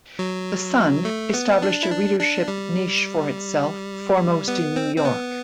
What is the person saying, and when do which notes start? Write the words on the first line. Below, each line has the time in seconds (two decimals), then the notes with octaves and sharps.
"The Sun" established a readership niche for itself foremost in New York.
0.19 F#3
1.05 A3
1.34 B3
1.62 D4
1.83 E4
1.91 D4
2.20 D4
2.48 G3
4.48 B3
4.76 C4
4.96 C4
5.05 B3